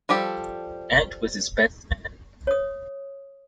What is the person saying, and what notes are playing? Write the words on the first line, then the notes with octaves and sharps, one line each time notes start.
Ant was his best man.
F3 G3 G4 A4
C#5 D#6